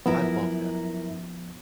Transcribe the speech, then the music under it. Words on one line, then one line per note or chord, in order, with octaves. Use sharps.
I love that.
F#2 F3 B3 E4 A#4